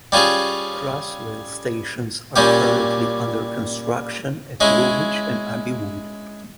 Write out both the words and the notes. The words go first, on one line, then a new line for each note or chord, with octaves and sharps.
Crossrail stations are currently under construction at Woolwich and Abbey Wood.
G3 C#4 F4 G#4
A#2 G3 C#4 G4
G#3 C#4 E4